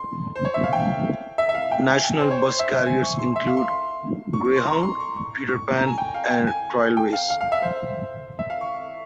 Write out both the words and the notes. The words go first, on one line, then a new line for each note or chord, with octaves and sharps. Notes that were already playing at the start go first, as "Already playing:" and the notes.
National bus carries include Greyhound, Peter Pan and Trailways.
Already playing: C6
C5
C#5
E5
F5
G5
E5
E5
F5
G5
G#5
G5
C5
C#5
C5
C5
E5
G#5
C#6
C6
E5
F5
C6
C6
C#6
C#6
C6
A#5
C6
C#6
C#6
C#6
A#5
G#5
G5
F5
G5
G#5
G5
F5
F5
F5
E5
C5
E5
F5
C#6